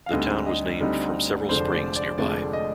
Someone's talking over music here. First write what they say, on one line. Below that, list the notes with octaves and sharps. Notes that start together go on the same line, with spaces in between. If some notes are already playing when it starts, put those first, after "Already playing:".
The town was named from several springs nearby.
F5
D2 D3 G3 C4 D#4 D#5
D#5
D2 D3 G3 C4 D#4
F1 F2 D3 G#3 D4 C5
D5
D5
F1 F2 D3 G#3 D4 D5
D#5